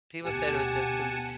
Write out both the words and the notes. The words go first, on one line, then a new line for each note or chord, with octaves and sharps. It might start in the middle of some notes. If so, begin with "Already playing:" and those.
People said it was just too
D2 B2 G4 F#5 G#5 A5